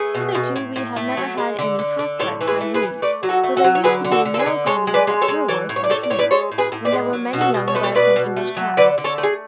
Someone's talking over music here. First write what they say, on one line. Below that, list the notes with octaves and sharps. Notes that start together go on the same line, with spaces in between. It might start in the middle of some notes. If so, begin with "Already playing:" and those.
Hitherto we have never had any half-bred Siamese; but there used to be a male Siamese at Hurworth-on-Tees, and there were many young bred from English cats.
Already playing: A3 G#4 B4
B2
B2
A2
A2
A3
F#3
G#3
D3
D3
D3
A2 A4 C#5
E3
G#4 B4
A3
G#4 B4
E3
A3 B4 D5
F#3
F#4 A4
A3
F#4 A4
F#3
C#5
D3 G#4 B4
D3
F#4 A4
D3
A4
G#4 B4
D3
G#3 A4 C#5
G#3
B4 D5
G#3
A4 C#5
G#3
E3 A4 C#5
A2
C#5
D5
A2 A4 C#5
D5
A2 C#5
B4 D5
G#3 A4 C#5
A2
G#4 B4
A2
B4 D5
G#3
F#3
B2
F#4 A4
B2
C#5
A3 B4
A4 C#5
B2 B4 D5
B2
A3
F#3
D3 B4 D5
D3
A4 C#5
A3
G#4